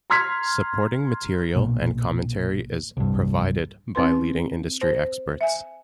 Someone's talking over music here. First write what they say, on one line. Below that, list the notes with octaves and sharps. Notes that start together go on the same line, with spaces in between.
Supporting material and commentary is "provided" by leading industry experts.
A#5 C6 F6 G#6 B6
B1 A#2
C2 G2
C4 E4 B4 C6
C5
E5 G#5